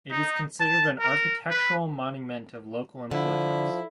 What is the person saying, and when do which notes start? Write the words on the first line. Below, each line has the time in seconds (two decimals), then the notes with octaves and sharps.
It is considered an architectural monument of local importance.
0.11 D#4
0.59 A5
1.00 A#4
1.50 B4
3.11 D3 F3 E4